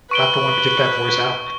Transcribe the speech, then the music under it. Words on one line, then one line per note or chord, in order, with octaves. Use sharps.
not the one to get that voice out.
B4 C#6 D7 G7